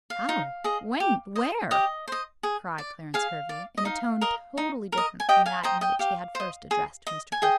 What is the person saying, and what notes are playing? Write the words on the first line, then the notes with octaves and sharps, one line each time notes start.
"How?--When?--Where?" cried Clarence Hervey, in a tone totally different from that in which he had first addressed Mr. Percival.
F5
D#4
G#4 D#5
G4
C5 D#5
G4 D#5
C5 D#5
G#4
D5
G#4 F5
D5
D#5
D#4 F5
A#4 D#5
D#4
A#4
D#5
G#5
G4 D#5 G5
F5 G#5
C5 D#5 G5 A#5
D#5 G5
G4 F5
C5 D#5
G#4
D#5
G#5
G#4 D#5 G5